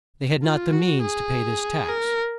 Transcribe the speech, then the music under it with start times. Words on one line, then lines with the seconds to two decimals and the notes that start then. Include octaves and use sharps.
They had not the means to pay this tax.
0.43 F4
0.73 F#4
1.02 G#4
1.89 A#4